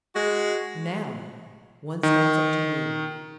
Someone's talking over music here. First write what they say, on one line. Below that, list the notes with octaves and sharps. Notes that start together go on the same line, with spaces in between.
Now One stands up to read.
G#3 F#4
D#3